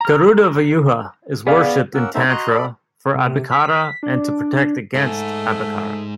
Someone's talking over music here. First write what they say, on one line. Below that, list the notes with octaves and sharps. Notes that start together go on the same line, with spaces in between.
Garuda Vyuha is worshiped in Tantra for Abhichara and to protect against Abhichara.
A#5 F6
B3 G#4 D5 F5
A#3 C#4 A#4 F#5 E6
A3 B3 C#4 D#4 C5 E5
F#4 D#5 A#5 C6 F#6
A4 D5 B5
C3
B6
D4
G#2 A3